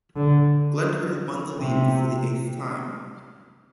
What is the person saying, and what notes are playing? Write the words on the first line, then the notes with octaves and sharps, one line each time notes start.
Glentoran won the league for the eighth time.
D3
C3